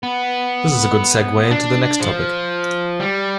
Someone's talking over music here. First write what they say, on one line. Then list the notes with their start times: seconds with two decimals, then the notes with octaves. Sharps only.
This is a good segway into the next topic.
0.03 B3
1.51 D4
2.01 F3
3.00 G3